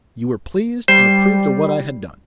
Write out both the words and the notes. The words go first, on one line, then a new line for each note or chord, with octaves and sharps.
You were pleased and approved of what I had done.
G3 C5